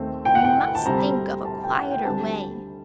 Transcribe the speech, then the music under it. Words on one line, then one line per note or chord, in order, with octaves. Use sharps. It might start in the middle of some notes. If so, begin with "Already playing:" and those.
"We must think of a quieter way!"
Already playing: D#2 D#3 A3 C4
G5
F#5
G5
A5
D2 C3 G3 C4 A#5
A5
G5
F#5
G5
D2 D3 G3 C4 A5